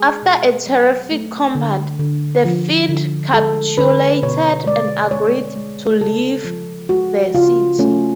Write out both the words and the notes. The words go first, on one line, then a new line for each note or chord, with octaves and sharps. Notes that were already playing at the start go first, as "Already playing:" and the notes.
After a terrific combat, the fiend capitulated and agreed to leave the city.
Already playing: G#3 G#4
B2
F#3
A3
D3
D3
F3
D3
G#3 A4
D3 B4
B2 C#5
G#3 D5
G#3 C#5
G#3
C#3 A4
F3
G#3 F#4
C#3 F4
A3 C#4